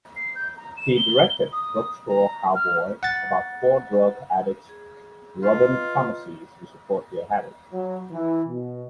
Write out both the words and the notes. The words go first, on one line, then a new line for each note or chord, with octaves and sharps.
He directed "Drugstore Cowboy" about four drug addicts robbing pharmacies to support their habit.
C7
G6
A#5
E7
G7
D#6
A#5
F6
F#5 A6
G#4
F4 B4 D#5
F#3
E3
B2